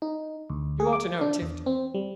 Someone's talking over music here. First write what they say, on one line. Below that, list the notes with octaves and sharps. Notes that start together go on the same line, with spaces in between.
You ought to know Tifto.
D#4
D2
G#4
D6
D4
E2
C4
G3